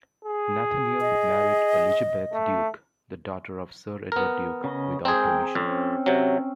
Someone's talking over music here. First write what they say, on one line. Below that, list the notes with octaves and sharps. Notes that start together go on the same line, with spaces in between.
Nathaniel married Elizabeth Duke, the daughter of Sir Edward Duke, without permission.
G#4
D#5
A3
B3 A#4
C#3 D#5
G#3 C4 G#4 A#4 G5
F2 C4 C#4
C3 F#3